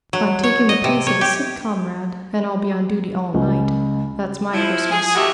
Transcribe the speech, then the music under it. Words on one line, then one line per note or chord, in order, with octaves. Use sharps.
"I'm taking the place of a sick comrade, and I'll be on duty all night. That's my Christmas."
F#3
C#5
D#5
C3
C#5
G4
C#2
F3 E4
G#4
F2 A2 D#3 F#4 G4 E5